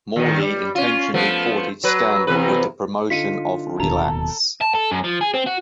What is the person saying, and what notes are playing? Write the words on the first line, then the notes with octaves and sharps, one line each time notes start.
Morley intentionally courted scandal with the promotion of "Relax".
D#2 D#3
G3
C#4 F4
F3 A3 B3
F#3 B4
E2 C3 B4
D3 D#4 F4 B6 C#7 D#7
D1 D#2 B2 A4 A#5
A5
A4
F#2
F3
G#4
C4
F#4